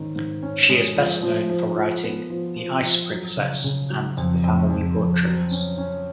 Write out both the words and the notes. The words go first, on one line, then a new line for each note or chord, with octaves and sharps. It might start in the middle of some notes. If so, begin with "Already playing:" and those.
She is best known for writing "The Ice Princess" and The Family Portraits.
Already playing: G#2 D#3 C#4
G#2
C#4
G#3
F3
F3
F3
F3
B3
F3
F3
F3
F#3
C#3
C#3
F#3
F2
F2
F2
F2
F#3
C#4
C#4